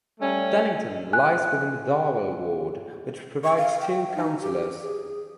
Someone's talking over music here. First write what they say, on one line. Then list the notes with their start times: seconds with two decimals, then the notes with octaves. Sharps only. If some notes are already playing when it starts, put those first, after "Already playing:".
Dallington lies within the Darwell ward, which provides two councillors.
0.20 G3 A3 C#4
1.13 G#5 F#6
3.44 C#6
3.57 F5
3.81 G5
4.15 D#4
4.41 G4
4.80 G#4